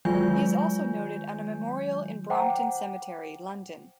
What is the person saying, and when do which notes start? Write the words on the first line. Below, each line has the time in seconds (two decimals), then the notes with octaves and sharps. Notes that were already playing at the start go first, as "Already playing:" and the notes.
He is also noted on a memorial in Brompton Cemetery, London.
0.05 D#3 F#3 G#3 F4 G#5 G6
2.30 C5 F#5 G5 A#5 D6